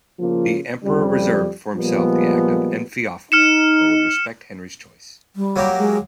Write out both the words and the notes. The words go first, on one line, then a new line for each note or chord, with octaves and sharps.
The emperor reserved for himself the act of enfeoffment but would respect Henry's choice.
C#3 F3 A#3 F4
F2 C#3 F3 G3
A#2 F3 G3 G#3 A#3 B3
D#4 F6 C#7 E7
G3
F#3 A#3 G4
G#3